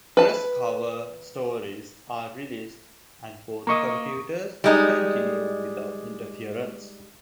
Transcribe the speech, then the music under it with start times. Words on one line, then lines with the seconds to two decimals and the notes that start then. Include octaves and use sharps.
Press cover stories are released, and both computers continue without interference.
0.17 B4 A5
3.67 A#3 D#5 A#5 C#6 D#6
4.64 G3 G#3 D#4